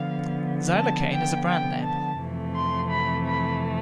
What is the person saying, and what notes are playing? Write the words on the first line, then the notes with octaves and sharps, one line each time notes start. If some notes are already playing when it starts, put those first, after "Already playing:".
Xylocaine is a brandname.
Already playing: D3 F3 B3 F5
A5
G5
G5
A5
F2 C3 E3 A3
C6
B5
B5